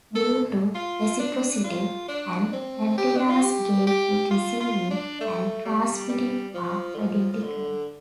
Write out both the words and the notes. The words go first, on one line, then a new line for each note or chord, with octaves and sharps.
Due to reciprocity, an antenna's gain in receiving and transmitting are identical.
A4
F4
D4
D4
F4
D4
C4
G4
D4
F4
G4
G4
F4
F4
D4
A3
G3
G3
F3
D3
F3
F3
D3